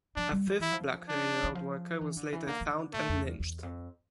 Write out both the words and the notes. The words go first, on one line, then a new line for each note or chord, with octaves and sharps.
A fifth black railroad worker was later found and lynched.
F3 D4
G3
F3
E3 E4
F3
D4
E3
F3
E3
D3
E3
D3 A#3
E3
D3
A#2 A3
F2
E2
E2
F2